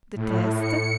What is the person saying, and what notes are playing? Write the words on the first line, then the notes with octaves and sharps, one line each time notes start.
"The test?"
A2
C#7